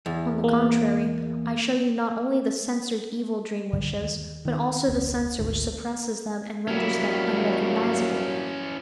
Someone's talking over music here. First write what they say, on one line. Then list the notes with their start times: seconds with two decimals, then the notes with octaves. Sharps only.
On the contrary, I show you not only the censored evil dream-wishes, but also the censor which suppresses them and renders them unrecognizable.
0.06 E2
0.44 A#3
3.73 B1 G2 D3 G3
4.01 D#2
4.45 D#3
4.88 F1 D2
5.39 G#1 D2
6.68 F#3 G3 A#3 C#4 E4